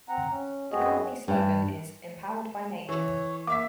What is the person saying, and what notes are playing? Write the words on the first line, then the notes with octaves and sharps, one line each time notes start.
The company slogan is "Empowered By Nature".
C4 F#5 A#5
C#4
F#2 B3 C4 F#4 G#4 D#5
G2
E3 C#5
A#3 E5 D6 B6